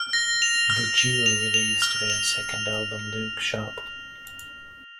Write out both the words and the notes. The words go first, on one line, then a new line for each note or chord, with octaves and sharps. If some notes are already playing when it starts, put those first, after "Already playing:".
The duo released their second album Look Sharp!
Already playing: F6
A#6
F7
F6
F7
F7
F7
F6
F7